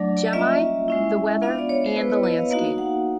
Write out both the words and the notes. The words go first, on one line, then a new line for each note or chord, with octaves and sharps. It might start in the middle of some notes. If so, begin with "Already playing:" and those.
Gemi, the Weather and the Landscape.
Already playing: F#3 A3 D4 D5
D5
D#5
G3 A#3 C#4 F4 E5
G#3 C#4 E4
B3 D4 F4 F5
D5
C#5
C5
B3 E4 B4
C#5
D#5
F5
A#3 D#4 F#4 F5
F#5